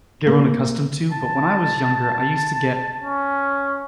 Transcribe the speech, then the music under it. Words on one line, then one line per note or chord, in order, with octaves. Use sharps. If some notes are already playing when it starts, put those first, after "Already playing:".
given accustomed to, but when I was younger, I used to get
A#3
A5
C#4